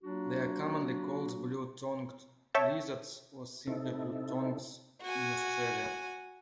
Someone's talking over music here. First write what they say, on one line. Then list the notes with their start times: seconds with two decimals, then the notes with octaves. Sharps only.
They are commonly called blue-tongued lizards or simply blue-tongues in Australia.
0.03 F#3 A#3 D4 F4 F#4
2.54 C#5 E5 G5 A5
3.67 C3 C4 D#4 E4 A4
5.02 F#4 G#5